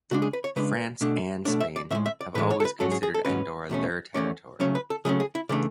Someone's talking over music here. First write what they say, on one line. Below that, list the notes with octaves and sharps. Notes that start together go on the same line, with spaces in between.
France and Spain have always considered Andorra their territory.
C#3 G#3 D4 F#4
G#4
B4
C#5
C#3 G#3 D4 B4
B2 A3 D4
B2 A3 D4 C#5
E5
D5
A2 E3 G#3 E5
E5
D5
A2 E3 G#3 B4
C#5
A4
B4
G#2 F#3 C#4 A4
G#4
G#4
A4
G#2 F#3 C#4 B4
E2 B2 A3 C#4
E2 B2 A3 C#4 D5
C#3 F#3 A3 C#4 C#5
B4
A4
C#3 F#3 A3 C#4 G#4
G#4
E4
C#3 E3 A3 D4 D5